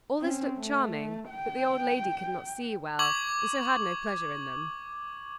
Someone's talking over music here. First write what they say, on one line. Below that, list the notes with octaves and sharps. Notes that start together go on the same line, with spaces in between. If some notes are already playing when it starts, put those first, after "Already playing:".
All this looked charming, but the old lady could not see well, and so had no pleasure in them.
C4 C#4
A3
G5
C#6 D6 G#6 F#7